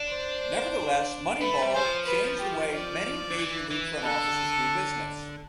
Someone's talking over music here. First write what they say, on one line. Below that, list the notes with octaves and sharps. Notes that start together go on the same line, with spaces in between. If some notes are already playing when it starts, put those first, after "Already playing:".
Nevertheless, "Moneyball" changed the way many major league front offices do business.
Already playing: D4
C5
A3 B4
G3
G3 C5
F3
B4
G4
D5
D3
E3
E3
D3 A4